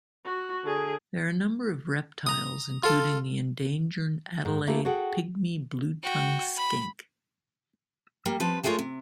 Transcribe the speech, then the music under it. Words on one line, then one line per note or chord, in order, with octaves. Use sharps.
There are a number of reptiles including the endangered Adelaide pygmy blue-tongue skink.
F#4
D3 G#4
A#5 D#6
F4 A4
G#2
A3 A#3 E4 F4 G4 A4
F#4 G#4 A4 F#5 G5
F#4 G5
B5
G3 A#3
F3 C4 B4 A5
F3 G#3 A3 F4 A#4 C#5
C3